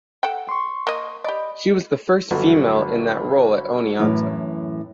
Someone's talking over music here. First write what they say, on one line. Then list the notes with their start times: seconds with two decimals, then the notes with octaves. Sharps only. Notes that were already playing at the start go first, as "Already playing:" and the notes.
She was the first female in that role at Oneonta.
0.23 A4 F#5 G5
0.49 C6 C#6
0.87 A#3 D#5
1.24 G4 D5 D#5 B5
2.31 G1 F#3 A4
3.99 F#2 A2 E3